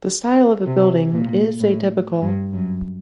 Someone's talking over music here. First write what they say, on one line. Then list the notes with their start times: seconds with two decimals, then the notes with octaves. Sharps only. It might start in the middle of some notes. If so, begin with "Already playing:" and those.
The style of the building is atypical.
0.67 C3
1.13 A#2
1.60 A2
2.22 G2
2.53 F#2